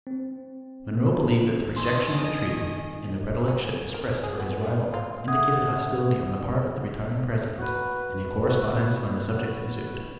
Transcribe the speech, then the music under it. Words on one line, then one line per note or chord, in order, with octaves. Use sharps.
Monroe believed that the rejection of the treaty and the predilection expressed for his rival indicated hostility on the part of the retiring President, and a correspondence on the subject ensued.
C4
D#3 A4 D#5 G#5 C6
C#4
A#4
G#4
B3
G3
F4
E5 F#5 D#6 G#6
F#4 B4
F#4